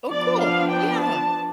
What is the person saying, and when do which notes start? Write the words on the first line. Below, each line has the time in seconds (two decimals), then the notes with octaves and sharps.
Oh, cool, yeah.
0.10 F3 B3 D4 D5
0.41 F5
0.71 G5
1.01 A5